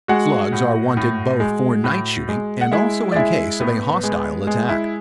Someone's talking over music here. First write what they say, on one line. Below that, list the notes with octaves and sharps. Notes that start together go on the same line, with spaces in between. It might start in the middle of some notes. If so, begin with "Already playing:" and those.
Slugs are wanted both for night-shooting and also in case of a hostile attack.
G#3 F#4 F#5
A2
A2
G#3
A2
G#3
F#5
G#3 E4 E5
D5
G#3 E4 E5
A2 B3 B4
G#3
G#3
E4